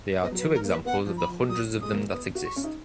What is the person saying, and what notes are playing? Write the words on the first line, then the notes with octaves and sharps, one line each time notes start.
They are two examples of the hundreds of them that exist.
B3 D#5
F#3
B4
F3
A#4
A#3
B4
B3 F#5
F3
B5
F3
F#3 D#6
G#3 D#6
A#3
B3 D#6
F#4
C#6
C#4
D#4